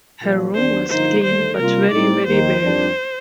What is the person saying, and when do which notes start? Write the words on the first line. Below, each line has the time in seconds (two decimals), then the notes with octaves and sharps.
Her room was clean, but very, very bare.
0.20 A#1 A#2 F3
0.54 D#2 D#3 G3 D4 C5
0.88 G2 D3 F3 A#3 D#4 C5
1.23 D#2 D3 A3 C5
1.57 C3 G3 A#3 F4 A#4
1.91 A2 G3 C4 D#4 D5
2.26 D#2 D#3 A#3 C5
2.60 F2 D#3 G3 D4